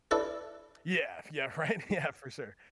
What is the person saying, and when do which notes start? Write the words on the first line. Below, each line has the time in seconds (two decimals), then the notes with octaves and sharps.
Yeah, yeah, right, yeah, for sure,
0.11 D4 E4 A4 B4